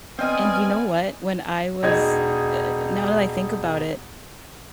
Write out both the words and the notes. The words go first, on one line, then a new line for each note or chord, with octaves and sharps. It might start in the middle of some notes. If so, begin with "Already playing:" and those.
and you know what? When I was uh uh uh, now that I think about it,
B3 C4 D5 D#5 G#5 F6
E1 D#4 D#5 G#6